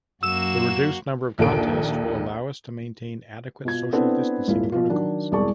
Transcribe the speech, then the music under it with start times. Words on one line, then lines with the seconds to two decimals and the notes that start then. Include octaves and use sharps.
The reduced number of contests will allow us to maintain adequate social distancing protocols.
0.23 F#2 A#3 F#4 E6 E7
1.39 A#1 D#2 A4 D7
3.65 B2 F4 G#6
3.93 B3 C4 D4 E4 A4 B4
4.48 D#1 G#1 E4 F4
4.72 B2 F3 F4
4.90 D#3 F#3 D4
5.32 E1 C2 G#4 D5 A5 C#6